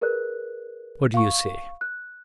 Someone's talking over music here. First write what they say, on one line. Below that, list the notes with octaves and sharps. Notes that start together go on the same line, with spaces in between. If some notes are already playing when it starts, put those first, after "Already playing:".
What do you say?
G#4 A#4 B4 D5 F#6
F5 C#6
F#6